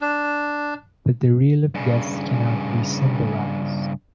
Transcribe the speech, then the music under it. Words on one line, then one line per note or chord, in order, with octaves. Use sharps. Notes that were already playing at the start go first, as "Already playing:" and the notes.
But the real of death cannot be symbolized.
D4
G2 C#3